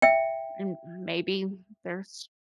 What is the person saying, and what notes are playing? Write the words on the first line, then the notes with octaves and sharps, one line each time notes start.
And maybe there's
E5 G5